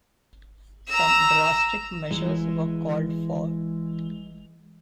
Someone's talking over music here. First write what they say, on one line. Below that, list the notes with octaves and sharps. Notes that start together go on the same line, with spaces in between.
Some drastic measures were called for.
A#5 E6
E3 G#3